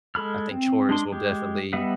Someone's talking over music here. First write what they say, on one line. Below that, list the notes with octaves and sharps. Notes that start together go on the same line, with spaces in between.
I think chores will definitely
G#3 A4 B5 F6
C4
G#3 D4 C6
G#3 G4
G3 B3 D#5 E5 F#5